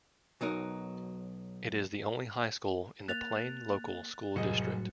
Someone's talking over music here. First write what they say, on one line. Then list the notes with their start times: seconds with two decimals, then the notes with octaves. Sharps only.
It is the only high school in the Plain Local School District.
0.41 B1 F#3 D#4 A#4
3.08 A#3 F#6 A6 F7
4.36 F1 A2 F#3 G3 F#4 G#4 D#5 C#7